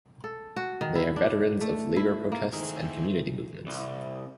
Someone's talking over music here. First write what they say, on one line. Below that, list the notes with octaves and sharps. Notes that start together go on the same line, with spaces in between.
They are veterans of labour protests and community movements.
A4
F#4
D#3
E4
D4
A3
E4
A#3
D#3 A3 C4 E4 G#4
C2